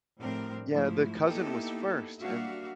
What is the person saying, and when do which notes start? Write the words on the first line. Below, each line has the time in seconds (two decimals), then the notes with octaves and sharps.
Yeah, the cousin was first and
0.19 A2 F3 G3 C4 D4 A#4
0.72 G#2 F3 A3 E4
1.27 A#3 B3 D#4 E4 G4 A4
2.21 G3 A#3 D4 F#4 E5 F5